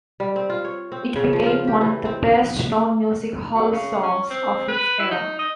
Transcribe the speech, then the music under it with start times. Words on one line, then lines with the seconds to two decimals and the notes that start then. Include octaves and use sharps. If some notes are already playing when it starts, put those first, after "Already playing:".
It became one of the best known music hall songs of its era.
0.20 G3
0.36 C4
0.50 F4
0.65 C#5
0.92 C4
1.16 C#3
1.33 F3
1.46 F4
1.67 G4
1.81 E3
2.05 C4
3.54 F#3
3.72 C#3
4.02 C#4
4.30 C4
4.68 B4
4.99 E4
5.11 D#4
5.39 D#5